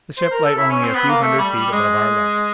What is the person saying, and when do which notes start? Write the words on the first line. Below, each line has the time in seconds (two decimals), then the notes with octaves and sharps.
The ship lay only a few hundred feet above our level.
0.18 C5
0.31 A#4
0.43 A4
0.57 E4
0.70 C#4
0.83 C4
0.95 B3
1.08 A#3
1.21 A3
1.38 G3
1.56 G3
1.72 G#3